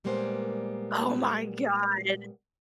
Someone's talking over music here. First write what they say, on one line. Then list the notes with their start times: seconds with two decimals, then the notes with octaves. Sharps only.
Oh my god!
0.04 A#2 G3 G#3 A#3 B3 C5